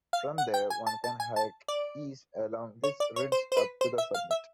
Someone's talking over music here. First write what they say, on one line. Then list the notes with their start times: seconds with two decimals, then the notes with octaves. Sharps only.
From there, one can hike east along this ridge up to the summit.
0.13 F5
0.38 F#5
0.54 G5
0.70 G#5
0.87 A5
1.04 A5
1.20 G#5
1.36 A5
1.68 D5
2.84 C#5
3.00 D5
3.16 C#5
3.32 C5
3.52 C5
3.57 B4
3.81 C5
3.98 E5
4.14 F5
4.31 E5